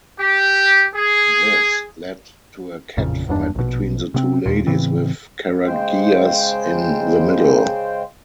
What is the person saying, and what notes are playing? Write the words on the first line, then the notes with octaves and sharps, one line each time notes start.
This led to a catfight between the two ladies, with Karagias in the middle.
G4
G#4
A1 F2 A#2 C#3
F#1 E2 G2 D4
A#1 B2
C3 B3 C4
D1 G#1 D#2 A#2
A2 C#3 E3 C4
C#3 G#3 C5 G5